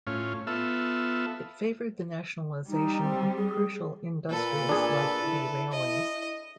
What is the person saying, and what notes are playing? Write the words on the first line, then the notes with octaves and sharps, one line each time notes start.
It favoured the nationalization of crucial industries like the railways.
A2 C#4 F4
B3 F4 A4 E5
G3 D#4
C4
G#4
A#2 A4 B4
D4 G#4
E4
D#5